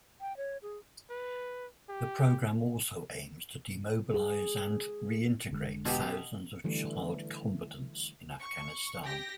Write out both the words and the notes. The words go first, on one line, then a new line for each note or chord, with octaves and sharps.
The programme also aims to demobilise and reintegrate thousands of child combatants in Afghanistan.
G5
C#5
G#4
B4
G4
G#4
F1 D3 G#3
B2 G4
D3 E3 G3 A3
C#6
G4 G5 A#6